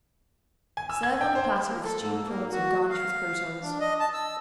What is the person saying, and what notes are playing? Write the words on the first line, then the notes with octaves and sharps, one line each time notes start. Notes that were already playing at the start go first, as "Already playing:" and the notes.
Serve on a platter with stewed prawns and garnish with croutons.
G#5
E6
G#6
G5
C5
A#3
A4
G#2
A#3
F#4
F5
D4
D#5
A5
E6